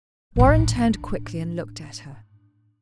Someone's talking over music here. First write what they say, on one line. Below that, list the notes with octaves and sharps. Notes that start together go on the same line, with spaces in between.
Warren turned quickly and looked at her.
A2 D4